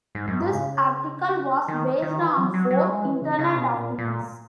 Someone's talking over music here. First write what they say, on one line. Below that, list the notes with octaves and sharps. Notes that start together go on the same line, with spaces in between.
This article was based on Ford internal documents.
G#2
F#2
G#2
C#3
D#3
D#3
E3
F#3
F#3
F#3
G#3
E3
C#3
C#3
B2
A#2
A#2